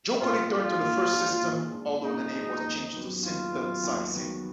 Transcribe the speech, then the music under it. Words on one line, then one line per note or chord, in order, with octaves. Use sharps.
"Joker" returned to the first system, although the name was changed to Synthesizing.
A#2 F4
G#3 D4 F4
A#2
G#3 D4
A#2
G#3 D4
A#2 D#4
G#3 D4
D#2
D#3 F#3 B3
D#2 F4
D#3 F#3 B3
D#2
D#3 F#3 B3